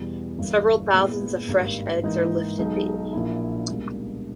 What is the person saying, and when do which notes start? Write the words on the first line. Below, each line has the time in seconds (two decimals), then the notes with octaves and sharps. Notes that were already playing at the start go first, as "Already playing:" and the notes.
Several thousands of fresh eggs are lifted daily.
Already playing: E2 B2 G3 B3
0.39 G1 G2 E3 A#3
0.93 A#2 G#3 B3 E4
1.48 G#1 G2 G3 A#3
2.03 G#2 E3 A#3 D#4
2.58 B1 B2 G#3 D#4
3.13 A#1 A#2 A#3 E4
3.68 C#2 B2 G3 A#3